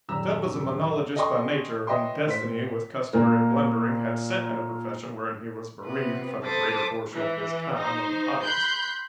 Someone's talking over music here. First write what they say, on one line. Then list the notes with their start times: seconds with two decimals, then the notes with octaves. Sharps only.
Jud was a monologist by nature, whom Destiny, with customary blundering, had set in a profession wherein he was bereaved, for the greater portion of his time, of an audience.
0.09 D#1 F#2 G3 G4 A#5 E6
1.16 A4 D#5 G5 G#5 C6 C#6
1.87 B4 C#5 D#5 E5 G5 C6
2.26 A2 C5 B6
3.13 A#2 A#3
5.84 C3 B3 B4
6.43 A4 C5 A5 B5 D6 D#6
7.11 E3
7.76 D#4 C5
8.44 B5 C6 F#6 G6